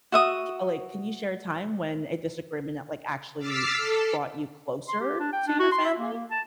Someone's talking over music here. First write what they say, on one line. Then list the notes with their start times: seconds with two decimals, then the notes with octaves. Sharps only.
j uh, like, can you share a time when a disagreement that like actually brought you closer to your family?
0.12 F#4 E5 D#6
3.38 D6 E6 F6 A6 B6 C7
3.76 A4
4.88 C6
5.01 G4
5.19 D4
5.33 G5
5.47 D4
5.59 F#4
5.72 C6
5.85 E5
5.98 A#3
6.14 A#3
6.30 A5